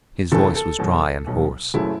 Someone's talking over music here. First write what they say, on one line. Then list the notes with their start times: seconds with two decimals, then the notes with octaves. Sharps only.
His voice was dry and hoarse.
0.32 F#1 E2 C#3 E3 A4
0.55 A4
0.79 E2 B2 F#3
1.27 B1 B2 F#3
1.74 F#1 F#2 C#3 F#3 A3 E4